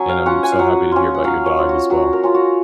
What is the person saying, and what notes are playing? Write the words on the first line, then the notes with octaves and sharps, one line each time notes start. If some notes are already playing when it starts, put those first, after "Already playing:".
And I'm so happy to hear about your dog as well.
Already playing: F#3 C#4 G#5
F5
C#4 F4 F#5
G#5
F5
F#3 F#5
C#4 F4
F#5
F#3 F5
C#5
C#4 F4
F#4
F#3 F#4
A#4
C#4 F4
F#4